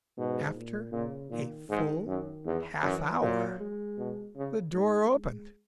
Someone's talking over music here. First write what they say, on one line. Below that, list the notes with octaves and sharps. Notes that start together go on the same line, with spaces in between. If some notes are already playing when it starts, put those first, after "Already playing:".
After a full half hour the door opened.
G#2 B2
A#2
A#2 C#3
A#2 D#3
G#2 D#3
F#2
E2
F#2 E3
A#2 F#3
G#3
B2
C#3
G#2 G#3
G#3